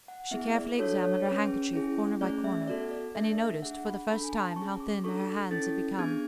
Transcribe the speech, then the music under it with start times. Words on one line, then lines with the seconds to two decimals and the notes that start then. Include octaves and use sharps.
She carefully examined her handkerchief corner by corner, and he noticed for the first time how thin her hands had become.
0.08 F#5
0.31 B3 E4 G#4 E5
0.55 D5
0.78 D4 F#4 A4 C#5
1.03 C#5
1.26 G#4 B4
1.31 C#4
1.74 C#4 E4 G#4
2.21 A3 C#4 G#4 D5
2.44 E5
2.68 B3 F#4 A4 D5
2.91 D5
3.15 A3 D4 A4 E5
3.39 E5
3.62 D4 F#5
3.65 G#4
3.86 B5
4.09 A4 B5
4.13 D4
4.23 G#5
4.33 A5
4.56 C#4 C#6
4.62 G#4
4.80 D6
5.04 D4 F#4 A4 C#6
5.51 C#4 E4 A4 A6
5.98 B3 D4 G#4 G#6